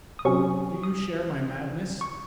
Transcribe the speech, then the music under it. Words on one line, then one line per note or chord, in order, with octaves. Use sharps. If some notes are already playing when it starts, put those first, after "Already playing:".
Do you share my madness?
D#6
C3 F#3 C#4 C#6
D#6
C#6